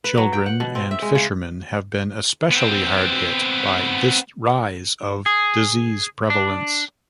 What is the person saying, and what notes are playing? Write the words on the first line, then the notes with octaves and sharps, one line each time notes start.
Children and fishermen have been especially hard hit by this rise of disease prevalence.
B4
F#3
G5
F#5
B2
C4
E5
G#3
C#3
B3 C4
G#4
D4